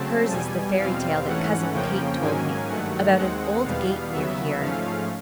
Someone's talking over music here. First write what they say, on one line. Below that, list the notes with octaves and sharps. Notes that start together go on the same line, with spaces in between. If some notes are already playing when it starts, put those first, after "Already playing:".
Hers is the fairy tale that Cousin Kate told me, about an old gate near here.
Already playing: C#3 F#3 A3 C4 A5
E2 B2 G3 G#5
E2 B2 G3 C4 F5
G#2 E3 A3 C#4 F#5
F2 C#3 F3 A#3 C#4 G5
G#2 D#3 F#3 A#3 C#4 G#5
G2 D#3 F#3 A3 F#5
D#2 D#3 G#3 C4 F#5
E2 B2 G3 B3 F5
D#2 C#3 F#3 B3 E5
G#2 F3 A3 C#4 F5